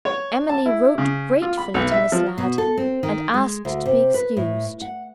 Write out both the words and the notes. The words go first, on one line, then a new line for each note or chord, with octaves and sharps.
Emily wrote gratefully to Miss Ladd, and asked to be excused.
C#5
A5
E4
C#3
F4
B5
B1
E5
F3
B2
A4
C4
D#3
G#3
D2
C3
B4
A2
F#5